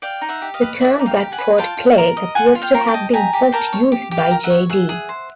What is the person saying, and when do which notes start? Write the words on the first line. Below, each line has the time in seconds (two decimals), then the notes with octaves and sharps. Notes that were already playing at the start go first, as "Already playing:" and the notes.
The term "Bradford Clay" appears to have been first used by J. de.
0.02 D5 F5 G5
0.22 D#4
0.29 E5 F#5
0.42 G4
0.54 D#5 F5
0.61 B4
0.81 D5 E5 F#5
0.99 D#4
1.06 F5 G5
1.20 G4
1.32 F#5 G#5
1.38 B4
1.58 F4 G5 A5
1.77 F4
1.98 A#4
2.17 D#5
2.35 F4 F#5 G#5
2.55 F4
2.62 F5 G5
2.75 A#4
2.87 G5 A5
2.94 D#5
3.13 G4 G#5 A#5
3.33 G4
3.52 A#4 G5 A5
3.73 C#5
3.92 G4
4.11 G4
4.17 F5 G5
4.31 A#4
4.44 E5 F#5
4.50 C#5
4.69 G#4 E5 F#5
4.89 G#4
5.09 C5